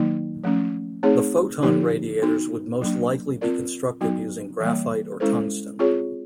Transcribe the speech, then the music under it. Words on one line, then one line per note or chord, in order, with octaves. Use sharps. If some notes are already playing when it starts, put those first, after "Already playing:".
The photon radiators would most likely be constructed using graphite or tungsten.
Already playing: D#3 F#3 A#3 D#4
F3 A3 C#4
A3 C4 D#4 G#4 C#5
D3 F3 A#3 D#4 G4
B3 D#4 F#4
F#3 A#3 D4
C4 F4 A#4 D5
F#3 B3 D#4 F#4
E3 G3 A#3
G#3 C#4 E4 A4 C5
C4 F4 G#4 C#5